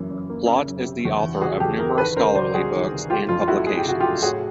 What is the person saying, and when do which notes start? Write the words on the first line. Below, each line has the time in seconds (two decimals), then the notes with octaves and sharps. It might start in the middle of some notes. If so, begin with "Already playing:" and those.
Plott is the author of numerous scholarly books and publications.
Already playing: F#2 E3 A#3
0.10 F#2
0.30 A#3
0.48 C#3
0.67 F#2
0.86 C3
1.05 E2
1.22 E3
1.41 C3 F#4 G#4
1.60 E2 G4 A4
1.79 E3 G#4 A#4
1.97 D#3 A4 B4
2.16 C#2 A#4 C5
2.35 C#2 C5 D5
2.54 G3 F#4 G#4
2.73 D#3
2.92 C3
3.10 A3 F4 G4
3.29 F2 F4
3.41 F4
3.48 A3 E4 F#4
3.67 A3 G#4
3.78 G4
3.85 C3 F#4
4.00 F4 G4
4.04 A3
4.22 A2 F#4 G#4